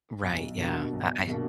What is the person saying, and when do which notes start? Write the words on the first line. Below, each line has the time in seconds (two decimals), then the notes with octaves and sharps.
Right, yeah, I I
0.23 B1
0.57 B2 A#3 D4
0.93 B1
1.27 B2 A#3 D4